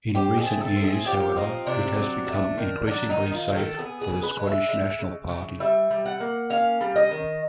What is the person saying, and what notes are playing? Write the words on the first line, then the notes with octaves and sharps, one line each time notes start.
In recent years, however, it has become increasingly safe for the Scottish National Party.
C4 G4
G#4
A3
A4
C4
G#4
F3 G4
C4 D#4
C3 D4
F#3
A3
D#3
F#3 D4
D#4
D#3
F4
D#3
A4
B3 G#4
G#4
C#3
B4
G#3
E5
G#3
C#3
C#3
G3 E5
G3
F#5
A#3
C#4 F5
G3
D#5
D#3